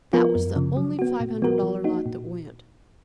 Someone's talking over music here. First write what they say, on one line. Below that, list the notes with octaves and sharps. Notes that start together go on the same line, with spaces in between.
That was the only five-hundred-dollar lot that went.
F3 B3 F4 A#4
F#2
C#3 F3
F#3
B3 F#4
A#2
F3 B3 F#4 A#4
F3
A#3 D#4 F#4
A#2